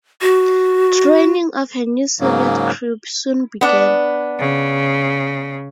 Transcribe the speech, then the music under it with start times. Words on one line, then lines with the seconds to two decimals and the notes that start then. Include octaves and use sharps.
Training of her new Soviet crew soon began.
0.21 F#4
2.20 G#2 C#3 F#3 A#3
3.61 B3 D4
4.39 C#3